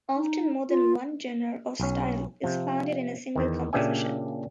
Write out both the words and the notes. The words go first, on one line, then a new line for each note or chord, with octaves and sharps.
Often more than one genre or style is found in a single composition.
D#4
F4
B1 C#4
C3 F3
E2 D#3
A#2 C#3 D4 G4 E5 G#5